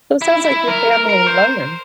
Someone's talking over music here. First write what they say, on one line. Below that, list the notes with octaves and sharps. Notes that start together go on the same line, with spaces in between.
So, it sounds like your family learned
E4
E4
A#4
A#4
A#4
C5